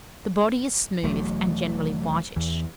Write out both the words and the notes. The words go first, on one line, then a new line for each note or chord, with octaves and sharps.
The body is smooth, and generally whitish.
E1 E2 F#3 A3
E2 E3